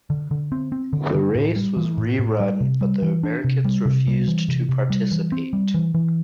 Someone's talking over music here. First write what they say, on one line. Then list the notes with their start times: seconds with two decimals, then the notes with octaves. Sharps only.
The race was re-run, but the Americans refused to participate.
0.10 D3
0.31 D3
0.52 C4
0.72 C4
0.93 D3
1.15 D3
1.35 A2
1.56 G3
1.77 E3
1.98 A2
2.19 A2
2.40 G3
2.61 C3
2.81 G3
3.02 E3
3.23 D4
3.44 C3
3.65 G3
3.86 C3
4.07 G3
4.28 E3
4.48 C3
4.69 C3
4.90 G3
5.12 E3
5.32 C4
5.53 G3
5.74 E3
5.94 E3